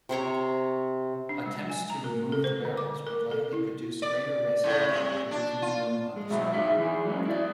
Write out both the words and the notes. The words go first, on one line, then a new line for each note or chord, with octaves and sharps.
Attempts to remove the barrels would likely produce greater risk than leaving them undisturbed.
C3 C5 C#5 A#5
D4
G#3
G#5
A#5
A#4
A4
C5
D3
D6
A#4
A4
E4
D5
A2 C#3
C3
D4
F4
G#3
B2 F#3 G#3 E5
G#2 D#4 G#4 E5
E3 G#4
F#3 G#3 A#3 C#4
E4 D5